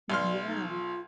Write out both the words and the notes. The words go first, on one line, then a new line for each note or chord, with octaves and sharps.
M yeah.
B1 D5 C6 F6
D#4
F4